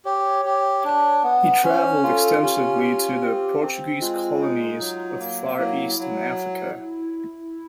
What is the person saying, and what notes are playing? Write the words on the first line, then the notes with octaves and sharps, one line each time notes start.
He travelled extensively to the Portuguese colonies of the Far East and Africa.
G4 C#5
G4
D4
B3
C#4 C5
F4 A4
C#4 G4
F4
C4
C4
G#3 F4
D#4
F#3
A#3
F#3 E4
F#3